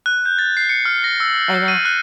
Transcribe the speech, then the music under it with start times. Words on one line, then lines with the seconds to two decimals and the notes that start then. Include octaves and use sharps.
I know.
0.06 F#6
0.26 G6
0.39 A6
0.57 C7
0.69 C#7
0.86 F6
1.04 A#6
1.20 E6
1.54 E6
1.68 D#7
1.85 F#6